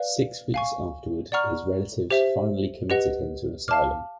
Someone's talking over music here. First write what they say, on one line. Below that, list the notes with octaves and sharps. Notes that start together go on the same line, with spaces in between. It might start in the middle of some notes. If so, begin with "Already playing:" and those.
Six weeks afterward, his relatives finally committed him to an asylum.
Already playing: B4 D5 F5
F5 G#5 C#6
D5 F#5 A#5 C#6 F6
G4 C5 E5
G4 B4 D#5 F#5
F5 A5 D6 F6